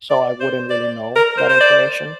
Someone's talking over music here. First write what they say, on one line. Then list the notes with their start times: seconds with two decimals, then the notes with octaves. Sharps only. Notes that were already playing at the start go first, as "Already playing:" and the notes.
so, I wouldn't really know that information.
0.10 D5
0.40 C5
0.70 D5
1.16 A#4
1.38 C5
1.49 C5
1.61 D5